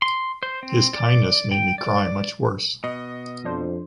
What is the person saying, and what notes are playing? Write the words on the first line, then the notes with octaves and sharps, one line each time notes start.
His kindness made me cry much worse.
C6
C5
C4
D5
G5
D5
B2 D#5
F2 F3 D4 C5